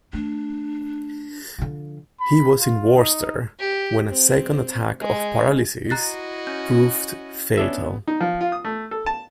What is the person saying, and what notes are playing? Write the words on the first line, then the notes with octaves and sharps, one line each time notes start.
He was in Worcester when a second attack of paralysis proved fatal.
A3 D4
D3 F3
B5
F4
D#4
G4
C4
G#3
E4 F#4 D#5 A#5 F#6 A6 C7
C#4 G6
B3 C#4 D4 E5
D#4
F3
F4
D#6
A3
A4
A5